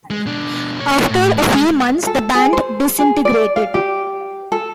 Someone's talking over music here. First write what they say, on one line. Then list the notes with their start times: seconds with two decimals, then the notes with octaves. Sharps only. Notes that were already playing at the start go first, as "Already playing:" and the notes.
After a few months the band disintegrated.
0.11 G#3
0.26 B2 D4
0.80 A#3 C#5
1.10 A2
1.37 G#3
2.07 A4
2.35 G#4
2.53 C5
2.98 G#4
3.25 D5
3.56 F5
3.74 G4
4.52 A4